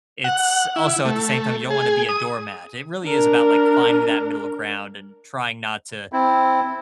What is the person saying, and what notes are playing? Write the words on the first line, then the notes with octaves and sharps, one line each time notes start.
It's also, at the same time, you don't want be a doormat. It really is about like finding that middle ground and trying not to
F#5
E4
A3
G#4
D#6
D4 A#4
C4 E4